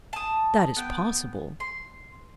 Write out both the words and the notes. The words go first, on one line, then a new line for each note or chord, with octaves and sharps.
"That is possible."
A5 D#6
B3 G5
C6